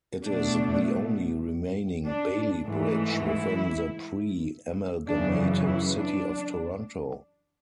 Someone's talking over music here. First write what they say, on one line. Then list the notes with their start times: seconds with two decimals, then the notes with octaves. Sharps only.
It is the only remaining Bailey bridge within the pre-amalgamated City of Toronto.
0.25 B2 A3 D4
2.06 D4
2.66 G#2 E3 A3
3.26 E4
5.07 F#2 C#3 E3 D4
5.67 E4
5.97 D4